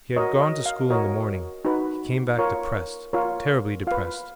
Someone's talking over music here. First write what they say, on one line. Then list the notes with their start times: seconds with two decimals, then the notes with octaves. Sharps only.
He had gone to school in the morning, he came back depressed, terribly depressed.
0.16 F#4 A#4 C#5 D#5
0.41 D#5
0.66 F5
0.90 F#4 A#4 C#5 D#5
1.65 D#4 F#4 B4
2.38 F4 A#4 C#5
3.13 F4 A#4 C#5
3.87 F4 B4 F5